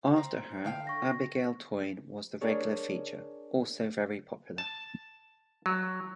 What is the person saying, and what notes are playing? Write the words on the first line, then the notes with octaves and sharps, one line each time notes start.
After her Abigail Toyne was the regular feature, also very popular.
C4 A#5
D3 A4 F5 G5
C#6 A#6
D4 G#4 A#4 C#5
A5
F#3